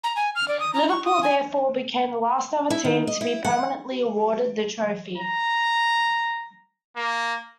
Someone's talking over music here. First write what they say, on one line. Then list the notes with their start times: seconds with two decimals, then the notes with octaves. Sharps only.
Liverpool therefore became the last ever team to be permanently awarded the trophy.
0.04 A#5
0.16 G#5
0.35 F6
0.48 D5
0.60 D#6
0.74 A#5
0.89 C#6
1.05 D#6
1.23 G#5
2.70 E4
2.85 D#3
3.07 D#5
3.21 E4
3.45 F#5
5.18 A#5
6.96 A#3